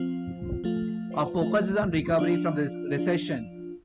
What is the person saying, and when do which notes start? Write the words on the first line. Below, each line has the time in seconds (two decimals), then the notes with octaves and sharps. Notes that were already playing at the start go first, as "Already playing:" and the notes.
Our focus is on recovery from the recession.
Already playing: F3 C4 F4
0.64 F3 A3 F4
1.41 F3 A3 F4
2.19 F3 D4 F4
2.97 F3 D4 F4